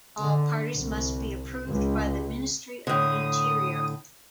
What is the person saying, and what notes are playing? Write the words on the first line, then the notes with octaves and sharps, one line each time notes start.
All parties must be approved by the Ministry of the Interior.
D3
C2
C#2
A2 D3 D#6